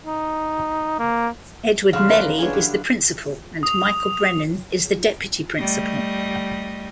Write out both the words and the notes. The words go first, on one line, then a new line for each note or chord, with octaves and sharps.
Edward Melly is the principal and Michael Brennan is the Deputy Principal.
D#4
A#3
E2 C#3 F#4 F5 C6
B3 C#4 A#4 B4 D5 A#5
E3 C#4 D4 C#5 G#5
D3 G4
D#6 F7
G3 A3 D#5